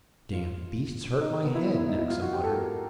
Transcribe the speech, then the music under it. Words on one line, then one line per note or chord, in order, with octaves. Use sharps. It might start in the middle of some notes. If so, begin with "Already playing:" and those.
"Dam' beasts hurt m'head," Naxa muttered.
F4
D#4
B3
E4
E4
E4
D#4
E4
F4
F#4
G4
A4
A#4